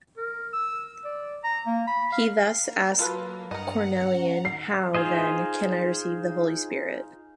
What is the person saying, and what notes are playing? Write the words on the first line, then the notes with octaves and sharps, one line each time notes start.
He thus asked Cornelian, How, then, can I receive the Holy Spirit?
A#4
E6
D5
A#5
A#3
B5
F5
A#3
F#3 F4 A4 B4
G2 A#4 D#5 F#5 A#5
C#4
D#3 C7
D#4 F4 G#4 C5 D#5